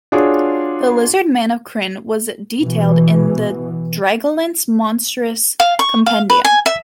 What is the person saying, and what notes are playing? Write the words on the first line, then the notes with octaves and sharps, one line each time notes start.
The lizard man of Krynn was detailed in the "Dragonlance Monstrous Compendium".
D4 F4 F#4 G#4 C#5 D5
B2 E3
F5
C#6
F5
B4
G#5
E5